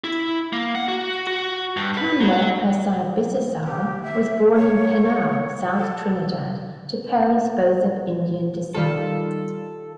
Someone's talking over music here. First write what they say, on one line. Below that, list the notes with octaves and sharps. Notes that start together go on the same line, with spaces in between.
Kamla Persad-Bissessar was born in Penal, South Trinidad to parents both of Indian descent.
E4
A#3
F#5
F#4
F#4
G2
B4
F#3
G4
E5
C#5
A4
D#3 G3 F4 A4